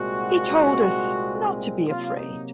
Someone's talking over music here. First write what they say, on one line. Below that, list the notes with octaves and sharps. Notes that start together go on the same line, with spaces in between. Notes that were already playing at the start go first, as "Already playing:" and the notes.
He told us not to be afraid.
Already playing: C2 A#2 G#3 C4 F#4
C3 F#3 A#3 F4
D#4